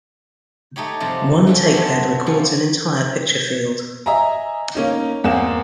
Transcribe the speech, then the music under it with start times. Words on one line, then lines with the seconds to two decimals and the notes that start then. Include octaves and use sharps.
One tape head records an entire picture field.
0.76 A3 D#4 G4 C#5
1.00 F2 G#2 C3 F3 G3
1.47 D3 A3 C#4
1.73 F#2 B3 F#5 A5 C6
2.26 C3 F3 C#4
4.06 D#5 E5 G#5 A#5
4.75 A#3 C#4 D#4
5.24 E2 A#3 C4 E7